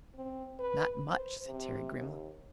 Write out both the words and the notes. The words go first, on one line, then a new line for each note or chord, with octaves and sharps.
"Not much!" said Terry grimly.
C4
B4
C5
C3
D#2